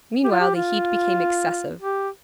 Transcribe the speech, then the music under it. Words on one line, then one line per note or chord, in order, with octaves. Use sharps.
Meanwhile the heat became excessive.
G4
F4
G4
F4
G4